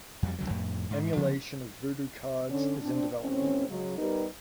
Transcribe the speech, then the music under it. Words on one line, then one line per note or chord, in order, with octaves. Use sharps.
Emulation of Voodoo cards is in development.
F2 G3
C#2 D3 F#3
F2 A2
G#2
C#3 F3 F#3 B3
D3 C#4
C4 D4
D#2 A2 C4 C#4
C#3 F#3 G#3
G3 B3 D#4 G4 A#4 B4